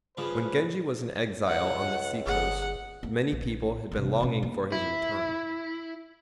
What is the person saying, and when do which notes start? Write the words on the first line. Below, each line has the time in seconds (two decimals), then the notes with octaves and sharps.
When Genji was an exile on the sea-coast, many people had been longing for his return.
0.17 G2 C#3 F3 G#4 B4
1.48 C#2 F#5
2.27 G1 G#4 F#5
3.03 A#3
3.32 A#1
3.92 A1 C3
4.20 B2 C#4
4.42 A#3
4.72 E4